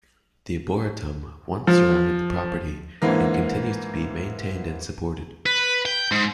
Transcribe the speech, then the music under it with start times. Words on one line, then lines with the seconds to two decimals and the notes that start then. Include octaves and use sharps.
The arboretum once surrounded the property and continues to be maintained and supported.
1.67 F3
3.02 G#2 D3 E3 A#3
5.46 B4
5.85 G5
6.12 G#2